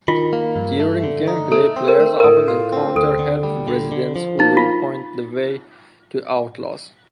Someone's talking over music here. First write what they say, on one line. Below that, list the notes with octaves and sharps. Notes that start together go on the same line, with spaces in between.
During gameplay, players often encounter helpful residents who will point the way to outlaws.
D#3 F4
A#3
G2
A3
D3
D#4
A3 A4
C4
A#4
A3
A#4
A2 A4
F4
C4
D2 A4
D3
G3
D3
D3
F3
A#3 D#4
F4